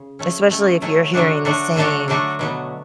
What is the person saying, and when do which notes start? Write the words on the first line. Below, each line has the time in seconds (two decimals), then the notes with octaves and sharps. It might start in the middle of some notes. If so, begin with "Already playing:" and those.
Especially if you're hearing the same,
Already playing: C#3
0.19 F#3 A3 C#4
0.49 F#3 A3 C#4
0.82 F#3 A3 C#4
1.13 D3 F#3 A3 D4 F#4
1.45 D3 F#3 A3 D4 F#4
1.76 D3 F#3 A3 D4 F#4
2.08 D3 F#3 A3 D4 F#4
2.39 B2 F#3 B3